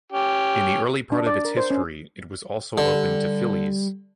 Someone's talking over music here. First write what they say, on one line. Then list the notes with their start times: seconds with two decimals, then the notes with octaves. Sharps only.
In the early part of its history it was also open to fillies.
0.12 C#4 G4
1.12 D4
1.27 D5
1.45 A#4
1.57 C5
1.70 C#4
2.78 D3 G3